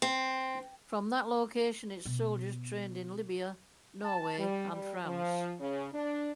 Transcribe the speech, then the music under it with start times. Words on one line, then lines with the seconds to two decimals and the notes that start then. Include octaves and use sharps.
From that location its soldiers trained in Libya, Norway, and France.
0.02 C4
2.05 B2 B3
4.05 A5
4.38 G3
4.70 G3
5.04 F3
5.59 C#3
5.93 D4